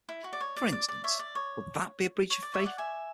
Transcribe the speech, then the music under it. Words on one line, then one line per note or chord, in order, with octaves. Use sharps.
For instance, would that be a breach of faith?
E4
F#4
D5
C#5
D5
D5
D5
C#5 E5
D5
C#5
C#5
D5
C#5 E5
D5 F#5
E5 G#5